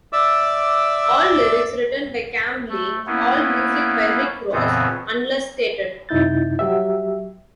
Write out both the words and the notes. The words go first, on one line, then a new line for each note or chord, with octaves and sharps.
All lyrics written by Kam Lee, all music by Rick Rozz, unless stated.
D5 E5 D6 E6
A3
A#3 B3 C#4 E4
F2 A#2 C#3 E3 B3 C4
F#2 C3 D#4 E4 G6 A6
F#3 G4 E5